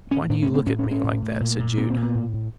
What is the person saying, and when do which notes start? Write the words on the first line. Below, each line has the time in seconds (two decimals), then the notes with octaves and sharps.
"Why do you look at me like that?" said Jude.
0.11 A2 C#4
0.29 A2 D4
0.42 C#4
0.48 A2
0.54 C4
0.66 A2 C#4
0.79 C#4
0.85 A2
0.91 C#4
1.04 A2
1.22 A2
1.41 A#2
1.59 A#2
1.77 A#2 C4
1.90 C4
1.96 A#2
2.03 B3
2.15 A2
2.33 A2